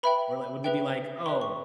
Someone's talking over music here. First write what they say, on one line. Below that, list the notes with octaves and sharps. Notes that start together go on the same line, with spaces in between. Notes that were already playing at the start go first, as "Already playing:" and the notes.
Or, li would they be like, "Oh,
B4 E5 G5 B5
G#4 B4 E5 G5
B4 E5 G5 C6
C#6